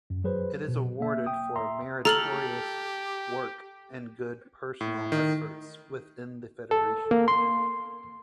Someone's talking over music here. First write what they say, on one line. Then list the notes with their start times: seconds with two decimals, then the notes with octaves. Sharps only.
Its awarded for meritorious work and good personal efforts within the federation.
0.10 F#2
0.24 F#3 G#4 B4 C5
0.68 B2
1.00 A#3 E5
1.26 G5 D#6
1.56 E5 A#5 C6
2.05 G4 A4 A#5 F6 F#7
4.81 A2
5.12 D#3
6.71 A4
7.11 A#3
7.28 C6